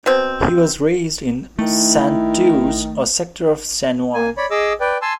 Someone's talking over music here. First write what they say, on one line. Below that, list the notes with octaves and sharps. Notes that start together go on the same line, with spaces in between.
He was raised in Santurce, a sector of San Juan.
B2 C4
D#3 A3 E4
A#3 G#5
C#5 D5 B5
G#4 D#5 D6 E6
B4 D5 G5
G#5 A5 C6 E6